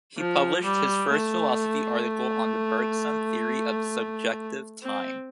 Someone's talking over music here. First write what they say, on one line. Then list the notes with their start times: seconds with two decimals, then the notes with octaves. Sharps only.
He published his first philosophy article on the Bergson theory of subjective time.
0.18 F3
0.64 G3
1.11 A3
4.83 C4